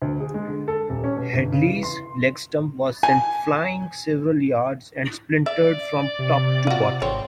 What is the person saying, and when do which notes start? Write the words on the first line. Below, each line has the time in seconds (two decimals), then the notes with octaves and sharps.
Headley's leg stump was sent flying several yards and splintered from top to bottom.
0.02 D2
0.20 G#4
0.34 G#3
0.48 D3
0.68 A4
0.89 D#1
1.04 C#4
1.17 B2
1.33 G1
1.52 C#3
1.67 E3
1.83 C6
3.03 G#5
5.46 D5 E5
6.19 C3
6.67 F4 F#4
7.02 G#1 C4 C#5